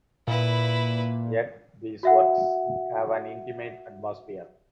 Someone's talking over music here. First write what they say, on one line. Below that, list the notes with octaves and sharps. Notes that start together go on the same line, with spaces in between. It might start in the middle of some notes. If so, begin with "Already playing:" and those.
Yet these works have an intimate atmosphere.
A#2 E4 B4
F#4 E5 F#5